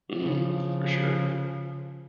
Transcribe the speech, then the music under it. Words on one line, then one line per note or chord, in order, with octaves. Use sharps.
Mm, for sure.
C#3 F3